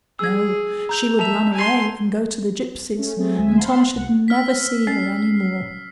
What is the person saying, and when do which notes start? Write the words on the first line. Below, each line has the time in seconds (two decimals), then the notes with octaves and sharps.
No! she would run away and go to the gypsies, and Tom should never see her any more.
0.19 G#4 E6 G#6
0.89 A#5 G6 F7
1.19 E5 A5 F7
1.53 G#5 C6
2.96 A3 C#4
3.17 F#3 A3 C4 G#4
3.38 D2 G#3 E5 G#5
3.57 C5 F5 F#5 A5 B5 C6
3.94 C2 F#5
4.28 E6 F6 B6
4.87 C#4 C7